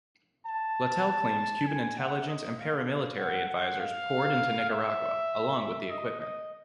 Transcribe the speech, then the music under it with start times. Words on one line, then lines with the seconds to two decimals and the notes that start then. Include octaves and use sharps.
Latell claims Cuban intelligence and paramilitary advisors poured into Nicaragua along with the equipment.
0.46 A5
1.67 G#5
1.98 F#5
2.28 D#5
2.58 F5
2.88 F5
3.18 F#5
3.48 F#5
3.79 F5
4.69 E5
5.90 D#5
6.20 D#5